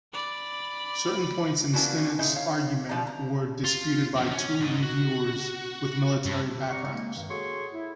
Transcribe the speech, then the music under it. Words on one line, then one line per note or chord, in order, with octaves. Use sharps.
Certain points in Stinnett's argument were disputed by two reviewers with military backgrounds.
D5 B5
A#3 B3 C#4 D4 E4 F#4
A#2 C#3 D#4 E4
C#5 F5
B2 F3 G3 D5 A#5
A#5
F4
E2 C4
C#4
G#2 D#5
F#4
G2
C4 D5 A#5 C#6
G#3 A#3
G2 D#3
F#4 G#4 A4 C#5 C6 C#6
E4